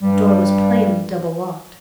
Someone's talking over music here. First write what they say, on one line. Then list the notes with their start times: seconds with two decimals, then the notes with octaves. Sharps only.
The door was plainly double-locked.
0.02 G2 G3